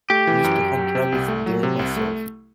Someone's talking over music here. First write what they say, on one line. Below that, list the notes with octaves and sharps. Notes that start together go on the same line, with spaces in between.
Used to hunt rabbits there myself.
A3 G4
E3
F#2
F#2
F#3
C3
C2
A3
F#3
C3
C2
A3